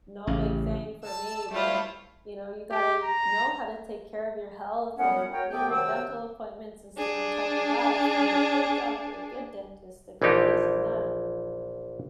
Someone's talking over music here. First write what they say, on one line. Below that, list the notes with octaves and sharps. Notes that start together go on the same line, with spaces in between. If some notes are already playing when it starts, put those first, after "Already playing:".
no big thing for me, but, you know, you gotta know how to take care of your health and make your dental appointments and stay on top of that. Find a good doctor, a good dentist, a good this and that,
A1 C#3 G4
A5 E6
G3 A3 E4 F4
G4
A#5
F#2 A2 G3 B3 C#4 F#5
F#4 A#4 C#5 G5
C2 A3 B3 G4 G5
F#2 C3 D#3 F#5 G5 E6
D4 G#4
A#1 E3 F3 D#4 G4